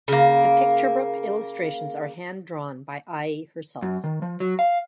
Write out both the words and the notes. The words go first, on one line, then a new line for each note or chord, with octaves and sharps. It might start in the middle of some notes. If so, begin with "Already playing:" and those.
The picture book illustrations are hand-drawn by Ai herself.
C#3 A#3
F#2
D#3
F3
F#3
F5